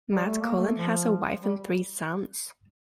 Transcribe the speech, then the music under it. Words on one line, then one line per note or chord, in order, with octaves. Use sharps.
Matt Cullen has a wife and three sons.
G3
A3
A#3
A3
F3
G3